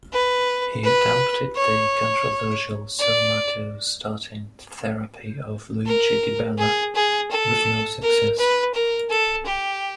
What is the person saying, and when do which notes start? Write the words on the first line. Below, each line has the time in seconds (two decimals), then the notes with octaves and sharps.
He attempted the controversial somatostatin therapy of Luigi Di Bella, with no success.
0.13 B4
0.84 B4
1.56 C#5
2.99 D5
5.87 A#4
6.58 G#4
6.95 G#4
7.31 A4
8.02 A#4
8.38 B4
8.75 A#4
9.10 A4
9.46 G4